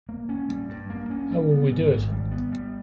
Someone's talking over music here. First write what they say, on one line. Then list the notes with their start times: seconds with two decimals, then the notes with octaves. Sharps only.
How will we do it?
0.09 A#3
0.29 C#4
0.49 G3
0.69 G2
0.90 A#3
1.10 C#4
1.31 G3
1.51 B3
1.71 G#2
1.91 G#1
2.12 G3
2.31 B3
2.52 G3